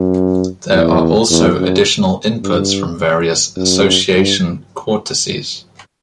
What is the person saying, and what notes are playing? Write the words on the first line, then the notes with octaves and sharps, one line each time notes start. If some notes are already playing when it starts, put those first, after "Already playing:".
There are also additional inputs from various association cortices.
Already playing: F#2
E2
E2
F#2
G2
F#2
G2